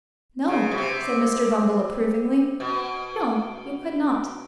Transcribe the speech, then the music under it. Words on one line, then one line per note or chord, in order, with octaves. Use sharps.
'No'; said Mr. Bumble approvingly; 'no, you could not.
C#3
B2
C3
B2